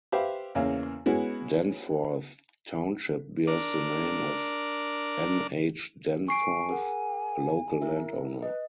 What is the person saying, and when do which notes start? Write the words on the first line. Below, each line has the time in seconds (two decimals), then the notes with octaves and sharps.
Danforth Township bears the name of N. H. Danforth, a local landowner.
0.12 G4 B4 C5 E5 F5
0.55 E2 C#3 A#3 C#4 F5
1.06 G#3 B3 C#4 E4 F#4
3.47 D4 A#4 D5
6.28 G#5 C#6 C7 D7
6.69 G#4 A#4 F#5
7.82 E4 A#4 E5
8.42 B4 D#5